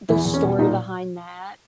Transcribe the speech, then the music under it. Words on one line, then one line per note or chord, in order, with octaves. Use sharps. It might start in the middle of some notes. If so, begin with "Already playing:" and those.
the story behind that,
E2 E4
E2
C#4
B2
A#2 D#4